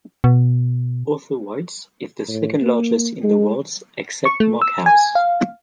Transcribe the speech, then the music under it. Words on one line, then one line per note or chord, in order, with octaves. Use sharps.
Other White is the second largest in all wards except Markhouse.
B2
A2
A#3
G#3
C#6
A3
E6
G#5
F5